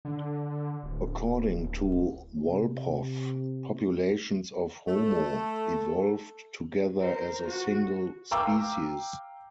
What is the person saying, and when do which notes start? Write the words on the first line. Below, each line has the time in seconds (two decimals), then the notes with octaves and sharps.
According to Wolpoff, populations of "Homo" evolved together as a single species.
0.05 D3
0.83 D1
2.45 C3
4.87 A3 A4
7.01 A#4 C5
7.46 F#4
8.31 F5 G5 A#5 D6 E6